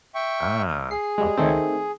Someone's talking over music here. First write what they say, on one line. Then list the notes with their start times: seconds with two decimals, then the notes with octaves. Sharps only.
Ah, okay,
0.15 E5 G5 C#6
0.91 G#4 C7
1.18 G3 G#3
1.38 D#3 A3 C4